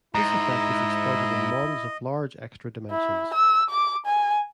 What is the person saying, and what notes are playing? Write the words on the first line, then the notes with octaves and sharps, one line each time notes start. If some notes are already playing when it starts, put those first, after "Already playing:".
This effect is exploited in models of large extra dimensions.
G#2 E4 D#5 A#5
E4
E6
D6
G#5